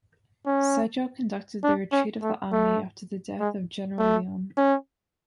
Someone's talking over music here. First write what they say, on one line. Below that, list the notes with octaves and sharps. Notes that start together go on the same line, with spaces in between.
Sigel conducted the retreat of the army after the death of General Lyon.
C#4
D4
C#4
A3
A3
G#3
A3
C#4